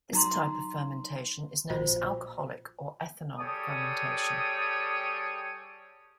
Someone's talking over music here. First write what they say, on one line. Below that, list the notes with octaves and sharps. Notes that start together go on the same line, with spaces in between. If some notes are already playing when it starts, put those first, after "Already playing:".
This type of fermentation is known as alcoholic or ethanol fermentation.
F#3 D#4 A#5 C6
A#1 F4 F#4 C5
G3 G#4 A4 C#5 G5 D#6